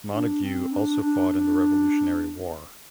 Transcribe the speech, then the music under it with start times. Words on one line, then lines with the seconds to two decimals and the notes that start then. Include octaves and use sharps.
Montague also fought in the Revolutionary War.
0.14 D4
0.44 C4
0.71 D4
1.01 D4
1.29 D4